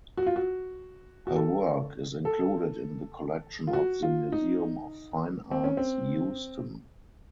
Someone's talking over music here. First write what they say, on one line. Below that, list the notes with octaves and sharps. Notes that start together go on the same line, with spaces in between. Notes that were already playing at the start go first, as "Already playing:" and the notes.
Her work is included in the collection of the Museum of Fine Arts Houston.
F#4
F4
F#4
F#4
A4
A4
F4
F#4
F4
D#4
C4
C#4
C4